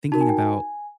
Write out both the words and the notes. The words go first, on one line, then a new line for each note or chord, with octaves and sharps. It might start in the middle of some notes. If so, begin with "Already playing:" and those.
thinking about
D#4 F#4 A#4 A5
G#5
G5
G#5